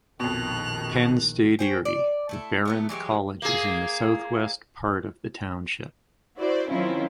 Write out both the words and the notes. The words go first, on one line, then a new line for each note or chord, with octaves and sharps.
Penn State Erie, The Behrend College is in the southwest part of the township.
A#1 F2 B2 D#3 F#6 F7
C#4 C5 G5
D5
A3 E4 A4
F#3 A3 B3
E3 F#3 G#3 G4
A#3 G#4
E4 F#4 C5 D5
D#3 F#3 C4 C#4 E4 F4